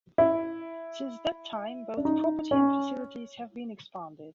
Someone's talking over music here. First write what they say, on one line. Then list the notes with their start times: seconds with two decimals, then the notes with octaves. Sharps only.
Since that time, both property and facilities have been expanded.
0.18 E4
1.97 D4
2.05 D#4
2.51 C#4